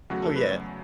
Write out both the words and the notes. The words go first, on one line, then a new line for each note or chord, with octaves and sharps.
Oh, yeah.
E2 C#3 F#3 A3 F#4
A4
B4